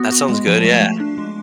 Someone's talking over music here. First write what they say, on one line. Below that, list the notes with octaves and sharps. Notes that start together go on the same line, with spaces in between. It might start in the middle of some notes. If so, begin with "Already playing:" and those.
That sounds good, yeah.
Already playing: B3 F#4
F#4
G#3
F3
A3
A3
D4
G#3